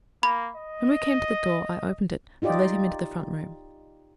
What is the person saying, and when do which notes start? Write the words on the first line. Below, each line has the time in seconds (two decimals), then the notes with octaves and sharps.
When we came to the door, I opened it, and led him into the front room.
0.23 A#3 B5
0.56 D#5
2.42 D#4 F4 G4 D5 D#5